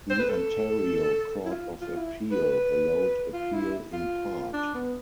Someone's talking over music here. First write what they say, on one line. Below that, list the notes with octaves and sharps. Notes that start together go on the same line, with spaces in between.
The Ontario Court of Appeal allowed appeal in part.
C5
B4
A4
E4
F4
F4
E4
B4
B4
F4
E4
F4
D4
B3